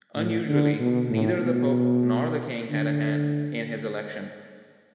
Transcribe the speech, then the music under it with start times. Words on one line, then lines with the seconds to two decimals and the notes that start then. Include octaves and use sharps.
Unusually, neither the pope nor the king had a hand in his election.
0.16 A2
0.48 D3
0.80 B2
1.11 A2
1.43 B2
2.70 D3